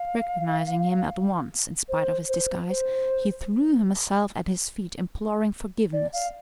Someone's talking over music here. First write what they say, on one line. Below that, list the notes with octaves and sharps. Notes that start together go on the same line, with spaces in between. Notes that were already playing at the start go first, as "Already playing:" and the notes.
Recognising him at once in spite of his disguise, he threw himself at his feet imploring forgiveness.
Already playing: F5
C5
C5
C5
D5
F5